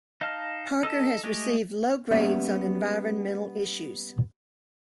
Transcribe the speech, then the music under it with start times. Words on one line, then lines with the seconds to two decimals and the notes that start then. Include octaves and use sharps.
Parker has received low grades on environmental issues.
0.21 D#4 D#5 F5 A5 F6
0.83 D#4 A4 D#5 A5
1.24 G#3 A3 G4 D#5
2.11 G3 A#3 B3 C#4 E5